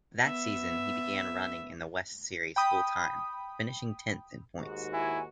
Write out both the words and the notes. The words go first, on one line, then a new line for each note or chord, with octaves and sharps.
That season, he began running in the West Series full-time, finishing tenth in points.
B3 E5
G5 B5 D#6
D#2 G#2 F#4
E4 G#5